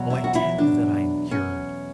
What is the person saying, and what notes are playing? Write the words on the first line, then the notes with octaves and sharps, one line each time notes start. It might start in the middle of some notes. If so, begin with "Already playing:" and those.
Oh, I tell you that I am cured!
Already playing: E2 B2 F#3
E4
F#4
E4
D4
C#4